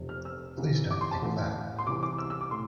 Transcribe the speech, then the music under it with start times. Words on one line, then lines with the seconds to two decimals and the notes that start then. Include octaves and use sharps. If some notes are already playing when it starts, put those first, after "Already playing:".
Please don't think that.
Already playing: F1 F2 C3
0.09 F6
0.25 E6
0.57 C2 C3 E3
0.91 D6
1.01 C6
1.11 A5
1.22 A1 A2 E3
1.79 C6
1.87 C2 C3 E3 D6
2.03 D6
2.18 E6
2.30 E6
2.41 D6
2.51 A2 C6